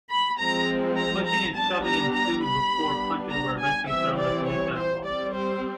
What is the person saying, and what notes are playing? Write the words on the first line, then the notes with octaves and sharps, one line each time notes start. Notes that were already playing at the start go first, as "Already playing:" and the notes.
Pushing and shoving ensued, before punches were eventually thrown and police got involved.
B5
F3 G#3 C4 A#5
A#5
A#5
G3 B3 D4 A5
A#5
A#5
B5
G3 B3 D4
A#5
G#5
E3 G3 C4 E5
D5
C#5
C5
G3 C4 D5
C5